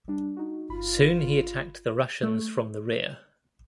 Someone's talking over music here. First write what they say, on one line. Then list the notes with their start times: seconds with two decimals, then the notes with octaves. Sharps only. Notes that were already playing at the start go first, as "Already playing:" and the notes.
Soon he attacked the Russians from the rear.
0.08 G3 D4
0.37 D#4 F#4
0.69 G1 F4 B5
2.23 A3